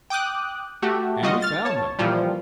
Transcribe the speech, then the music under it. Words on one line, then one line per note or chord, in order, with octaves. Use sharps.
And he found them.
G5 D6 D#6 F#6
A3 F#4 G4
G3 F4 F#4 D#5
F6 A6
C#5 A5
A#2 E3 F3 G3